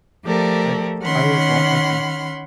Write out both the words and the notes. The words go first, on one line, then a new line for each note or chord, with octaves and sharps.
I I would want, like, a
F3 A3 G4 A4 A#4 D5
D#3 C#4 F#5 B5 C6 F6